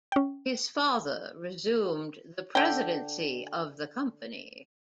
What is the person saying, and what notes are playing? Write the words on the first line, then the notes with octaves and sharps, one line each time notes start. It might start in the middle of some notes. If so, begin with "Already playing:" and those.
His father resumed the presidency of the company.
C#4 G5
D3 G5